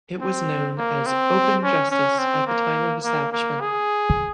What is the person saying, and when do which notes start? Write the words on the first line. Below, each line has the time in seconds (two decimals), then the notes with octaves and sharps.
It was known as Open Justice at the time of establishment.
0.21 C4
0.78 A#3
1.06 C4
1.63 C#4
1.92 C#4
2.19 C4
2.47 A#3
3.04 A#3
3.33 A#3
3.61 G#4